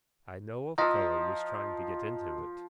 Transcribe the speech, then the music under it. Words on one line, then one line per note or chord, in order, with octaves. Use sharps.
I know a fellow was trying to get into it.
F3 D#5 A#5 E6